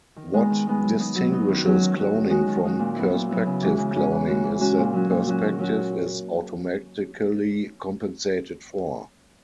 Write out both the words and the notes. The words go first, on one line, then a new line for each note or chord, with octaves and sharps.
What distinguishes cloning from perspective cloning is that perspective is automatically compensated for.
D#3
G#3 B3 D#4
D#3
G#3 B3 D#4
F#3
B3 D#4
F#3
B3 D#4
D#3
F#3 C#4 F#4
D#3
F#3 C#4 F#4
D#3
G#3 D#4 F#4
D#3
G#3 D#4 F#4
A#2
F#3 B3 E4
A#2
F#3 B3 E4
C#3
E3 G#3 C#4
C#3
E3 G#3 C#4
E3
G#3 C#4 F#4
E3
G#3 C#4 F#4
A#2
F#3 C#4 F#4
A#2
F#3 C#4 F#4
D#3
F#3 C#4 F#4